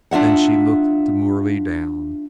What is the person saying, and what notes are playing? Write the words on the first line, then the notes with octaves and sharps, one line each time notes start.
Then she looked demurely down.
D4 F4 E5 F#5